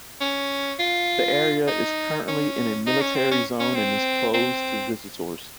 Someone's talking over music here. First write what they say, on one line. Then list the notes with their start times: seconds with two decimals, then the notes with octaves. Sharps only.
The area is currently in a military zone and is closed to visitors.
0.20 C#4
0.79 F4
1.67 D#4
2.28 C#4
2.86 D#4
3.01 C#4
3.15 C4
3.31 C#4
3.60 C#4
3.75 C4
4.34 C4